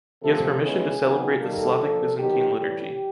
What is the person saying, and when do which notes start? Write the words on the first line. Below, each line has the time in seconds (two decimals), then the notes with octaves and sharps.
He has permission to celebrate the Slavic-Byzantine liturgy.
0.23 C3 F3 A3 A4
0.62 C#3 E3 G#3 B3 G#4
1.01 D#3 F#3 B3
1.40 D#3 G3 A#3 A4
1.79 A#2 F3 A#3
2.18 D#3 F#3 B3 G4
2.57 A2 E3 G3 G4